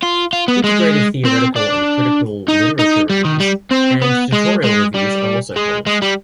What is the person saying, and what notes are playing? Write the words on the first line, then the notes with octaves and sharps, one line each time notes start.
Integrative theoretical and critical literature reviews, and tutorial reviews are also published.
F4
F4
B3
G#3
C4
D4
D#4
D#4
G3
D#3
G3
C4
B3
G#3
G#3
G3
G#3
G#3
G3